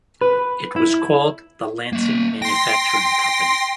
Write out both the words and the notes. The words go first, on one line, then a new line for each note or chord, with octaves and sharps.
It was called the Lansing Manufacturing Company.
B4
E4
A#3 E5
G5 C6 A#6